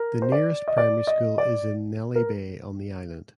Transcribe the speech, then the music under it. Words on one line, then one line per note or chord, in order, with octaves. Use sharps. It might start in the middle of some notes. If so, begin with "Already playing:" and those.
The nearest primary school is in Nelly Bay on the island.
Already playing: A#4
C5
D5
D#5
D5
D#5
D5
A#4